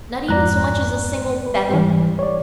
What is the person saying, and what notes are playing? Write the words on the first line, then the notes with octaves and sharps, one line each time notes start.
"Not even so much as a single feather?"
F2 G#2 D5 A#5 F#6
B4
G#2 E3 G3
C#5 D5